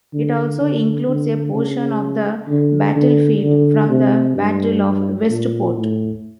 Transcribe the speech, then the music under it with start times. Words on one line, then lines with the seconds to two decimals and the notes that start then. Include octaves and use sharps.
It also includes a portion of the battlefield from the Battle of Westport.
0.14 D3
0.60 D3
1.08 D3
1.55 C#3
2.49 D3
2.96 D3
3.43 D3
3.89 C3
4.36 G2
5.30 A#2
5.77 A2